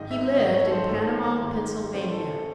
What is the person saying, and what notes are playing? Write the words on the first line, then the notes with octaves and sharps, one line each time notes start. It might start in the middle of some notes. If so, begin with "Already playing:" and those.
He lived in Panama, Pennsylvania.
Already playing: G#1 G#2 D#3 D#5
E5
G#1 G#2 D#3 D#5
C#5
A4
C5
G#1 G#2 D#3 A4
G#1 G#2 D#3
A1 A2 E3 C5
A4
A4